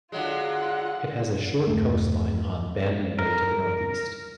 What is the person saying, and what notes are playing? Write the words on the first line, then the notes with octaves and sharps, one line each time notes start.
It has a short coastline on Bandon Bay to the northeast.
D3 F#3 G#3 F4 F#5
E2 G2 A3
A#4